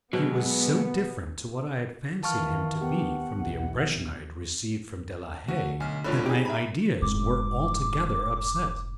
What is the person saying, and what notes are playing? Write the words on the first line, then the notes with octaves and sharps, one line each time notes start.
He was so different to what I had fancied him to be from the impression I had received from De la Haye, that my ideas were altogether upset.
B2 F#3 G#3 B3
D#3 E3 F5 A5 C#6 F6
B3 G4 F#5
B1 E3
D2 F#4
B1 G#5 F6
A#1 G2 D3 F4 C#5 B5
D#4 G4 G#4
E5 A#5 B5
F1 G#2 D6